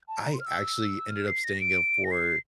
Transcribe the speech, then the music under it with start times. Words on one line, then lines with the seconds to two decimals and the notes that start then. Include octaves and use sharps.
I actually ended up staying up for
0.08 A5
0.20 A#5
0.34 C6
0.40 F6
0.46 E6
1.09 F6
1.27 C7
1.44 A#6
1.60 D7
2.04 A#6
2.11 C7